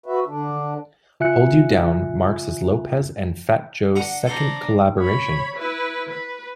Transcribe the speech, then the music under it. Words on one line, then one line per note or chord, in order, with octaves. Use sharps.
"Hold You Down" marks as Lopez and Fat Joe's second collaboration.
F#4 B4 E5
D3 D4
C#3 F4 E5 G#5 F#6 C#7
D3 F#5 A#5
D4 A4 C5 A#5
C#5 B5
E4 B4
B4